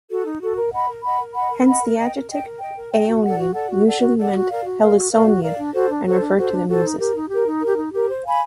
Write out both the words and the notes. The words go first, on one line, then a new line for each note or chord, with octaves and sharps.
Hence the adjective "Aonian" usually meant "Heliconian" and referred to the Muses.
F#4 A4
D#4
F#4 A4
A#4
D#5 F#5 B5
A#4
D#5 F#5 B5
A#4
D#5 F#5 B5
A#4
D#5 F#5 B5
A#4
D#5 G5
A#4
D#5 G5
A#4
D#5 G5
A#4
D#5 G5
F#4
A4 D5 F#5
F#4
A4 D5 F#5
F#4
A4 D5 F#5
F#4
A4 D5 F#5
F#4
A#4 D5 F5
F#4
A#4 D5 F5
F#4
A#4 D5 F5
F#4
A#4 D5 F5
D4
F#4 A4 C5
D4
F#4 A4 C5
D4
F#4 A4 C5
D4
F#4 A4 C5
D#4
G4 A#4
D#4
G4 A#4
D#4
G4 A#4
D#4
G4 A#4
C5
F5 G#5 B5